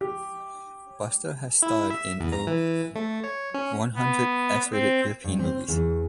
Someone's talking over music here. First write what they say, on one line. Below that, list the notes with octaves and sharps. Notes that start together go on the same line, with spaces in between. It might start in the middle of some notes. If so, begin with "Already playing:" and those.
Buster has starred in over one hundred X-rated European movies.
G4
E4
E5
E2
A#5
E3
A3
C#5
C#4
B3
C4
G2
C4
E2